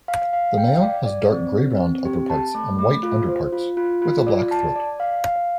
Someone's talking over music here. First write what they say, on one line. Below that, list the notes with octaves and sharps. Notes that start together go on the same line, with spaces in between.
The male has dark grey-brown upperparts and white underparts, with a black throat.
F5
F5
G5
D5
D5
C4
C4
C4
G4
A5
A3
A3
F4
C5
F4
F4
F4
D5
A5
D5
F5
F5